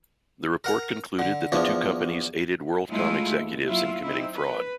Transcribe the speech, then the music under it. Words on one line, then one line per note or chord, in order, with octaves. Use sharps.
The report concluded that the two companies aided WorldCom executives in committing fraud.
A#4 F#5 A#5
D3
E2 F3 D4
F#3 G#3 A3 E4 F4
D#2
F#3 E4 F4
C4 D#4 E4
B4